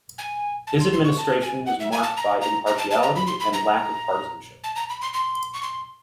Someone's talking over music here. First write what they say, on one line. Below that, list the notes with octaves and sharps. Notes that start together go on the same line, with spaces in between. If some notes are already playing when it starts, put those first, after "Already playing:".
His administration was marked by impartiality and lack of partisanship.
G#5
A5
C6
C6
C#6
A5
G#5
F#5
E5
G#5
A5
A#5
A#5
A#5
A5
A5
A#5
B5
C6
B5
A#5
A5
A#5
B5
C6
C6
C#6
C6